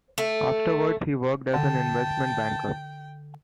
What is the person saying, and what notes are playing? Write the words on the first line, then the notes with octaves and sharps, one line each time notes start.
Afterwards, he worked as an investment banker.
A3
D3 G5 A5